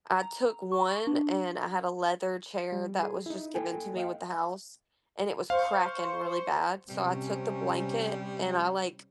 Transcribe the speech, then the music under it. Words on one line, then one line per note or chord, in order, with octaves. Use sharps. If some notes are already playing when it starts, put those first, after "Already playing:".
I took one and I had a leather chair that was just given to me with the house, and it was cracking really bad. So I took the blanket and I like
A#5
C#6
D4
G3
G#4
D#4 E4
A#3 A4 G5 G#5
D#5 F5 G5
C5 F5 C#6
C3 G3 C#4